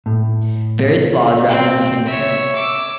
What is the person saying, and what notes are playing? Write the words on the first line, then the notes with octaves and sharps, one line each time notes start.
Various flaws rapidly became apparent.
A2
C4
C#5 E5
D6 E6